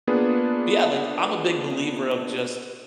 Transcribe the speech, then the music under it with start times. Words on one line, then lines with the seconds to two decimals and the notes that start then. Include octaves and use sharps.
but yeah, like, I'm a big believer of just
0.07 A#3 B3 D4 F4 G#4 B4